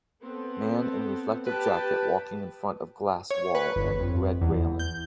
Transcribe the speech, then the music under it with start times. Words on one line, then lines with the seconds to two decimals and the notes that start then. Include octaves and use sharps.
Man in reflective jacket walking in front of glass wall and red railing.
0.21 B3 C4 A4
1.47 G4 B4 G5 A5
3.31 C#5
3.55 B4
3.76 G1
4.00 F2
4.41 E2
4.79 G6